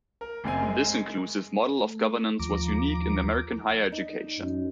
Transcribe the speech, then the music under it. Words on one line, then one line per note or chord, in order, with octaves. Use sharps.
This inclusive model of governance was unique in American higher education.
A#4
F#1 F#2 C4 G#5
G#3
A3
D#2 F3 A#5 D6
D#4
F#2